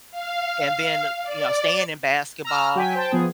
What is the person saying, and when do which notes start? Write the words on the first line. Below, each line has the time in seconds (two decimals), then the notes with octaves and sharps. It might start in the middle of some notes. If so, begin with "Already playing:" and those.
and then, uh, you know, staying in basketball,
0.11 F5
1.23 D5
2.45 A#5 E6 F6
2.75 F#3 G5 G#5 B6
2.95 C5 G5 A5
3.11 F3 B3 G#4